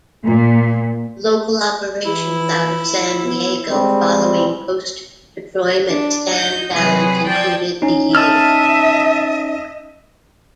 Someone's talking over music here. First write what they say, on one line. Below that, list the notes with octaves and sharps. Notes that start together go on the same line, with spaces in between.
Local operations out of San Diego, following post-deployment stand-down, concluded the year.
A#2
E3 E4
B3
G3 G#3 C4
D4
D#4 G6
C3 F#3 G3 G#4 B4
F3 D5 G5 A5 G6 G#6
C#4 D#4
D#5 E5 A5 E6 F6